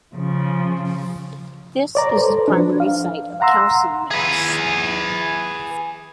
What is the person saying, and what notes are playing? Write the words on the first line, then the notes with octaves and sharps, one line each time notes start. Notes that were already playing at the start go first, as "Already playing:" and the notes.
This is the primary site of calcium release.
C#3 F3
C#5 D5 A#5
A4 B4 C5
F3 D4
F5
F5 F#5 A#5 C6 E6
G#4 B4